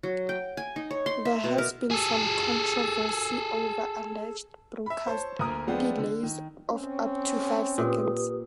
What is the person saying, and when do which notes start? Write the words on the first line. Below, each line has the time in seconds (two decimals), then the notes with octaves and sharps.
There has been some controversy over alleged broadcast delays of up to five seconds.
0.03 F#3
0.29 G5
0.57 G#5
0.76 D#4
0.91 C#5
1.06 C6
1.25 E5
1.44 B2
1.58 A#4
1.92 G#4 A4
4.86 E5 B5
5.06 C5 C#5 A5
5.39 D2 A#3 A#4 D#6
5.67 F3 G#3 B3 C4 D4 F4
5.98 D3
6.23 D#3
6.69 C4 C#4
7.78 A#2 G4 B4 D#6